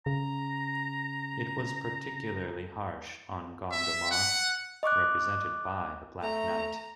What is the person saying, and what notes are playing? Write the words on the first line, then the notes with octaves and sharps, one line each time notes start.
It was particularly harsh on Gondomar, represented by the Black Knight.
C#3 A#5
E5
F#5
D#5 C#6 D6 F#6
A3 A#5